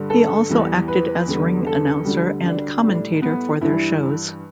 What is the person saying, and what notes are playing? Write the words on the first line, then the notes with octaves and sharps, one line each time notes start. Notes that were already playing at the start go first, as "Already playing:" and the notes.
He also acted as ring announcer and commentator for their shows.
Already playing: G2 D3 G3
A4
E2 E3 G3
B4
E2 D3 G3
A4
D2 D3 G3
D4
A2 G3
B3
G2 E3 G3 E4